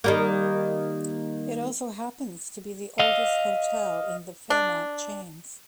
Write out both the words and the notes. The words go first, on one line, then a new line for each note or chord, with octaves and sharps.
It also happens to be the oldest hotel in the Fairmont chains.
D#3 G3 A#3
D#5 F5
D4